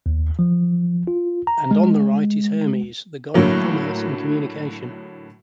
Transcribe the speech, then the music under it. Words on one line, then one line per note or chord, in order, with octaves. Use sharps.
And on the right is Hermes the god of commerce and communication.
D#2
F3
F4
A#5
G#3
A2 D3 F#3 A#3